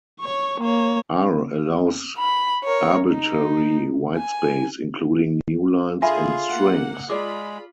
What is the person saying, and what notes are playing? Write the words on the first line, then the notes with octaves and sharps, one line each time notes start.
R allows arbitrary whitespace, including newlines, in strings.
C#5 C#6
A#3 C#5
B5
A#4 C#5
D#4
G#5
D3 F4 G#4 E5 G#5 B5
A#3 F#5
G#3 F4 G#4 D5 B5 D6